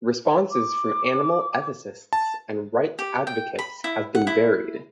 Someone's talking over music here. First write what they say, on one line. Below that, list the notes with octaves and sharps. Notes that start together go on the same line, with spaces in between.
Responses from animal ethicists and rights advocates have been varied.
D6
A5
G4
G5
B5
E4
F#5
E4